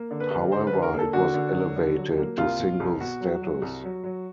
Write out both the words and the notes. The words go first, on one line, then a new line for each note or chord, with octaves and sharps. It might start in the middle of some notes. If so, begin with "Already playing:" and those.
However, it was elevated to single status.
Already playing: A#3
D3
B4
G2
D3 C5
B4
D3
A#4
A#3
A4
D3 F#4
D3
F#3
D3
F#3
A#3
C2 F4
B2
C2
B2 F#4
F#3
F#3
C2
F#3
F#3